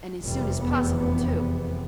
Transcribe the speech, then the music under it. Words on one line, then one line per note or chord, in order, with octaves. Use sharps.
"And as soon as possible, too."
F1 E2 C3 G3
B3
B3
B3